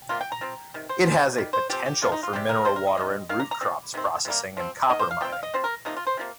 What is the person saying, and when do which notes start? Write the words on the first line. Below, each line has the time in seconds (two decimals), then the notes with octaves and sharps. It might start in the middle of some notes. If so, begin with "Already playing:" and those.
It has a potential for mineral water and root crops processing and copper mining.
0.09 C3 G3 A#3 F4
0.21 G5
0.32 A#5
0.41 F3 C4
0.74 C3 D#3
0.89 C5
1.06 F3 C4
1.38 D#3 G3
1.53 C5
1.70 F3 C4 G4
1.86 G4
2.02 C3 F3 A#3 F4
2.12 D#4
2.23 F4
2.33 C3 G3 C4 G4
2.49 A#4
2.65 C3 G3 C4 C5
2.76 A#4
2.87 D#5
2.97 A#3
3.01 D#3
3.29 D#3 A#3 F5
3.40 A#5
3.51 A#5
3.61 F3 C4
3.94 C3 D#3 C4
4.25 C3 G3 A#3
4.57 F3 C4
4.89 D#3 A#3 D#5
4.99 C5
5.11 F5
5.21 F3 C4 G5
5.32 F5
5.43 D#5
5.54 F3 C4 C5
5.64 A#4
5.85 C3 F3 A#3 D#4
5.97 F4
6.07 C5
6.17 C3 F3 A#3